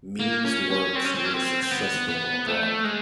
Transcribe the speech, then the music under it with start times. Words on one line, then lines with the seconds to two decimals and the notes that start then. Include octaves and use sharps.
Mee's works were successful abroad.
0.20 A#3
0.45 C#4
0.70 C#4
0.95 C4
1.04 C#4
1.15 C4
1.25 C#4
1.34 C4
1.62 C4
1.71 B3
2.08 B3
2.47 A3
2.84 G#3